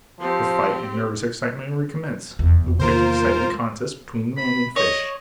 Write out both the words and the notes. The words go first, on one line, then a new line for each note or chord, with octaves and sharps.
The fight and nervous excitement recommence--the quick, exciting contest between man and fish.
F3 C4 G4
F1 E2
C3 D#3 A#3 F4 A#4 C5
G#3
B5
C#5 D#5